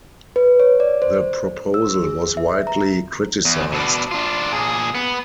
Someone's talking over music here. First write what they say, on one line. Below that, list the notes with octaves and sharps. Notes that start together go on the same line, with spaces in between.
The proposal was widely criticised.
B4
C#5
D5
C5
E6
G#4
E5
A#5
E2
B2 D4
D4 F4
A#2 G#4
B3